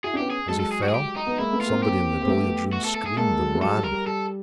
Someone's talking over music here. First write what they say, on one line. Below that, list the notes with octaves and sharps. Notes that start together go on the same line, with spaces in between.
As he fell, somebody in the billiard-room screamed and ran.
E4 F#4 G#4
D4
B3 C#4 G4
G#4
F#3 G#3 A4
A4
G#4
F#4
G#4
G4
D#4
B3
G#3 A#3 E4
A3 B3
F4
A#3 C4
G4
C4
A3 B3
F#4
A4
A4
G#4
G#3 A#3 A4
F#3 G#3
A3
F#3 G#3 A4
G3
A#4
G3
G3 A4